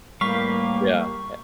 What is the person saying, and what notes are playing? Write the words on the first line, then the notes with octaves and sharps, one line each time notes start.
Yeah, eh
A2 G3 A#3 G4 B4 F5 C#6